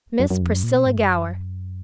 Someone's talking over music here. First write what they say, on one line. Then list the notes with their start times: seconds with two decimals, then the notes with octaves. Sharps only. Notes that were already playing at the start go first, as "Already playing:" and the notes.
"Miss Priscilla Gower."
0.20 F#2
0.30 F#2
0.42 F2
0.53 F#2
0.64 A#2
0.75 B2
0.86 G#2
0.97 F#2